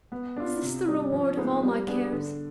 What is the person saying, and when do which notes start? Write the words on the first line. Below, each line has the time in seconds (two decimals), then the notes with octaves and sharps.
Is this the reward of all my cares?
0.12 B3
0.37 D4 F4
0.62 C3
0.87 G3 D4
1.12 F3
1.37 G#3 B3 D#4
1.62 G3
1.87 B3 D4 G#4
2.13 D3